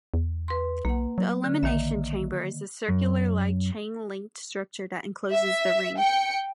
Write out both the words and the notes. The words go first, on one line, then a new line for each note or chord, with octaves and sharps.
The Elimination Chamber is a circular-like chain-linked structure that encloses the ring.
E2
B4 C6
B1 A#3 F#5
F#3
D3
A#1 D#3 A#3 E5
F#2
E5
G5 C#7